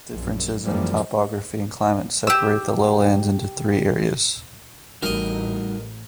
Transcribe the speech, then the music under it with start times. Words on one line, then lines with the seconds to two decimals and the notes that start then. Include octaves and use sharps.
Differences in topography and climate separate the lowlands into three areas.
0.10 A#1 F#2
0.64 F#2 E3 F3 G3 G#3 A#3
2.27 G4 E6
5.03 A1 G3 D#4 F#4 A#4 D#5